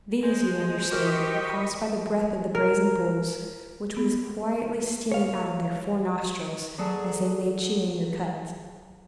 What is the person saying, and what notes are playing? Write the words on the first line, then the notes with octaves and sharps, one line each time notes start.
These, you will understand, were caused by the breath of the brazen bulls, which was quietly stealing out of their four nostrils, as they lay chewing their cuds.
G#3 C5
F#4 G4 A#4 D#5 C#6 B6
A#4
B3
C#5 F5
F#3 G#4 A4 D5 A5